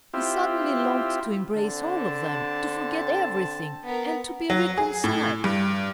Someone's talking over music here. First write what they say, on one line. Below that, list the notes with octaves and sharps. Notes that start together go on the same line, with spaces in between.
He suddenly longed to embrace all of them, to forget everything and to be reconciled.
C4 E4 F4 G4
D3 C4 A5
B3 A#4
F#3
G#4
A2
G2